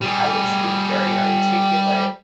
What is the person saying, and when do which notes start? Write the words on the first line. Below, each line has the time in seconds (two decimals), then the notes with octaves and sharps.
I would speak very articulate,
0.01 G3 G#4